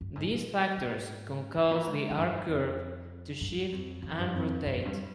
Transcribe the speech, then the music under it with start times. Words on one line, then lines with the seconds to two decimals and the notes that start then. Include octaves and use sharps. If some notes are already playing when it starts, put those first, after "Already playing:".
These factors can cause the R curve to shift and rotate.
0.01 G2
0.15 G#2
0.31 A#2
0.77 G#2
1.56 G2
1.71 A#2
1.87 G#2
2.10 F2
2.17 G2
2.33 G2
2.48 F2
3.41 G2
3.72 F2
4.03 F2
4.18 G2
4.34 F2
4.65 G2
4.75 F2
4.85 G2